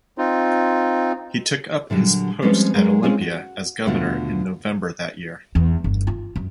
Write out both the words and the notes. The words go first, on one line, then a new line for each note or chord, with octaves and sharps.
He took up his post at Olympia as governor in November that year.
C4 D#4 F4
A#2 D3 F#3 G3
F3 G3 G#3 C4 C#4 B4
F#3 G#3 A#3 A#4
G#3 C4 C#4 D#4 F4 G#4
F#4
D#2 B2 D3 A3 F4 F#4
E2
G1
F4
F#2